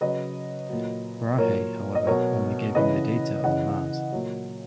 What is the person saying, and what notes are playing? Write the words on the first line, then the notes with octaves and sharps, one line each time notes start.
Brahe, however, only gave him the data on Mars.
C#3 F#3 B4 D#5
A#2 F#3
A#2 F#3 A#4 C#5
D#5
B2 F#3 A#4 C#5
C#3 E3 B4 D#5
C#3 E3 D#5 F#5
A#2 F#3